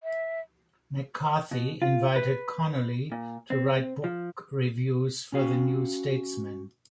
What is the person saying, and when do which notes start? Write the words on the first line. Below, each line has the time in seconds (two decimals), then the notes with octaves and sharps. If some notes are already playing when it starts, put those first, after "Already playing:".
MacCarthy invited Connolly to write book reviews for the "New Statesman".
0.03 E5
1.51 B2
1.82 F4
2.16 B4
3.12 A#2
3.50 C4
4.04 F3
5.32 C#4 F#4 F5